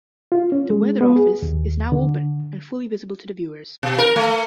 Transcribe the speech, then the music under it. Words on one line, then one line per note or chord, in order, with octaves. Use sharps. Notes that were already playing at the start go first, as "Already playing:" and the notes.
The weather office is now open and fully visible to the viewers.
F4
C#4
G#3
B3
G#4
D#2
D3
B2
A#4
A3